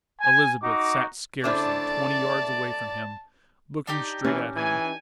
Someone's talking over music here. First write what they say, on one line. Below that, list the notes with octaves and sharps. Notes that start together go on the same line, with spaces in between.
Elizabeth sat scarcely twenty yards away from him, looking straight at him.
G#5
D#4 F#4 D6
C#3 A3 D4 E4 C5 D5 A5 D6
D4 D#4 G4
E3 C#4
E3 G#5